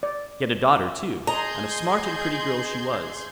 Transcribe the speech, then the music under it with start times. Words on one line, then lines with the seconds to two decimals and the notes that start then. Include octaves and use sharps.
He had a daughter too, and a smart and pretty girl she was.
0.03 D5
1.27 G#4 D#5 A#5 C6 G6 G#6